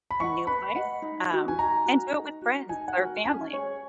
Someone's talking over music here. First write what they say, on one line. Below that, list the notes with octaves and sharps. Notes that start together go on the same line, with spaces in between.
a new place, um, and do it with friends or family.
B5
D#5 F#5 C#6
B4 B5
D#5 F#5
D#4
F#4 A#4
G#5
D#4 A#5
F#4 A#4
D#4
F#4 A#4
D#4 G#5
F#5
F#4 A#4
C#4 G#5
G#4 C#5